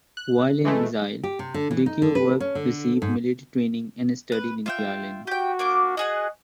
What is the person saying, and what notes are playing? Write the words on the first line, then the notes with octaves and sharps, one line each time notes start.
While in exile, Dirceu worked, received military training and studied in the island.
F#6
E3 G#3 A3
G4
C3
D3
E3
D#4
D3
B4
C#4
D3
G#2
B4
F4 E5 G5
F#4 G4 G5
A#3 D4 D6
F#4 G#4 D#5 F#5